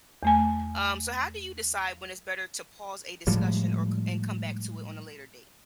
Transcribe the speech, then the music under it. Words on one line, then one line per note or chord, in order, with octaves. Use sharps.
Um, so how do you decide when it's better to pause a discussion, or c and come back to it on a later date?
E2 A3 G#5
A2 F3 G3 G#3